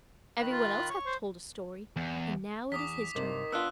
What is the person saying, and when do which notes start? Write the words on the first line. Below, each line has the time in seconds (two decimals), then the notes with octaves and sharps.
"Every one else hath told a story, and now it is his turn."
0.39 D#3 B5 F#6
0.52 F4
0.90 C#5 C#6
1.06 C5
1.96 E2
2.72 E2 D6 D#6 B6
3.15 G2 C3 D#3
3.52 B3 D4 F4 E6 F#6